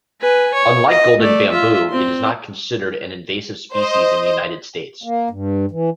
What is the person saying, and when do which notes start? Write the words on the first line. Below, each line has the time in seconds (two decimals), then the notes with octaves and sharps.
Unlike golden bamboo, it is not considered an invasive species in the United States.
0.21 B4 G#5
0.54 C#5
0.89 D#5
1.19 A3 D5
1.52 F4 E5
1.89 C4 C6
3.74 C5 D#5
5.03 A#3
5.30 G2
5.71 E3